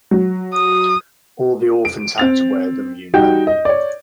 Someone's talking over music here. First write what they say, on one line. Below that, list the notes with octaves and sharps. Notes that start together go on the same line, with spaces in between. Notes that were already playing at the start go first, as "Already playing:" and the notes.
All the orphans had to wear them, you know.
F#3
D#6
D7
C4 A6 F7
G3 D#4 F#4 G5 G6
D#5
C#5 D5